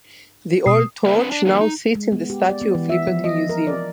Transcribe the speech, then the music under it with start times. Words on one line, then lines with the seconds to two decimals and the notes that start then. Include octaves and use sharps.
The old torch now sits in the Statue of Liberty Museum.
0.66 B2 D#6 C7
1.06 C#3 A#3 A#4 C5 E5
1.18 C4 D4 B4
1.32 D4
1.46 D#3 F3 A#3 D4 F#4 A#4
1.61 D#4
1.95 G#3
2.12 B3
2.30 G4
2.49 D5
2.62 B3
2.75 E3
2.89 E5
3.07 F3
3.24 D#5
3.49 A#4
3.67 D5